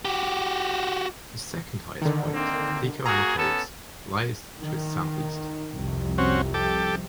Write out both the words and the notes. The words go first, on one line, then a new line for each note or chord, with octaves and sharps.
The second highest point, Pico Ana Chaves, lies to its south east.
F#4 G4
D3 D#3
A#3 C4
A#3 F#4 G#4 A#5
B3 C#4 A4
D#3
C2 F2 C3
C4 C#4 F#4
G4 A4 D6